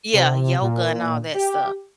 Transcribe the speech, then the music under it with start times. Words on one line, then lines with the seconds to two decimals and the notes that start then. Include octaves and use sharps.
yeah, yoga and all that stuff.
0.13 C3
0.61 A#2
1.34 G4